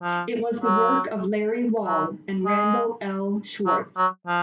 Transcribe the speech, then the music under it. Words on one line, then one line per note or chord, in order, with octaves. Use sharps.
It was the work of Larry Wall and Randal L. Schwartz.
F3
F#3
F#3
G#3
F#3
F#3
F3